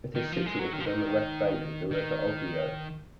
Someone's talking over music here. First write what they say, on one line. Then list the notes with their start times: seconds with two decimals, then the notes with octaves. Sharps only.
It is situated on the left bank of the river Oglio.
0.15 D#3
0.32 F3
0.46 G#3
0.59 F#3
0.73 D#3
0.80 F3
0.86 D#3
1.92 D#3